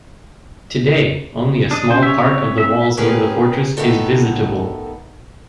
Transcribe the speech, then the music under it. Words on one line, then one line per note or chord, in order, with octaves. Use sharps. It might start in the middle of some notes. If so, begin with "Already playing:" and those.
Today only a small part of the walls near the fortress is visitable.
D4 D#5
C#4 C5
C#5 E5
C4
E5
B3 C#4 G4 G#4 A#4 B4
D#3 A3 B3 D#4 A4